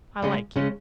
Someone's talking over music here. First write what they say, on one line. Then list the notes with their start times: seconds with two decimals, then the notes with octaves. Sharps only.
I like you.
0.22 C#3 G#3 C#4
0.56 C#3 G#3 C#4